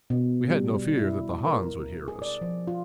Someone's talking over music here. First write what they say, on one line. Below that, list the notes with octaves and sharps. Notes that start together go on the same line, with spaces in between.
We had no fear that the Hans would hear us.
B2
G3
E4
A#4
G#4
D5
F3
F4